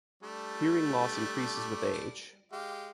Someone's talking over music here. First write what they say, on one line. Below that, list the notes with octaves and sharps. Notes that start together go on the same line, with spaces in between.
Hearing loss increases with age.
G3 A3 D4
G#3 G4 F5